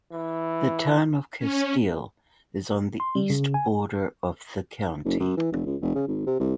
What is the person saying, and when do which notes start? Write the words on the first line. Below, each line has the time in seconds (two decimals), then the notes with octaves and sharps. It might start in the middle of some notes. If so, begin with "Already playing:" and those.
The Town of Castile is on the east border of the county.
0.12 E3
1.39 C#4
3.00 C6
3.15 G3
3.30 C#3
3.54 G#5
5.05 F#1
5.20 F#2
5.37 E3
5.52 F1
5.65 C#2
5.81 F1
5.95 C#3
6.07 G#1
6.26 C3
6.39 C2